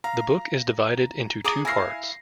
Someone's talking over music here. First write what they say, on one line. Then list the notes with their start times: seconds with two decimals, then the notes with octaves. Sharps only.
The book is divided into two parts.
0.04 F5 A#5
1.44 G#4 A#5 D6 D#6
1.65 E4 F5 G#5 A#6 C7